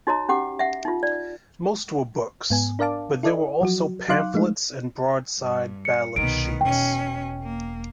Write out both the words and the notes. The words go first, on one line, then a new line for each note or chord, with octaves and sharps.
Most were books, but there were also pamphlets and broadside ballad sheets.
D#4 F#4 C#5 D#5 A#5
C#4 G4 F#5 D6
E5 F#5
D#4 F4
D5
G#2 B3 G#5
D4 A#4 D5 F5 A5 D6
E4 A4 D5 D#5
F3 F#3 F#4
F#3 D#4 F5 C6 D6 F#6
F3 G#3 A3 D#4
G2
C#7
C2 B2 D#3 B3 D7
E1 B2 C#4 G5
A#3